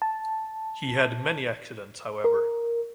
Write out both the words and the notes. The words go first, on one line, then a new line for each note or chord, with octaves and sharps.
He had many accidents, however.
A5
A#4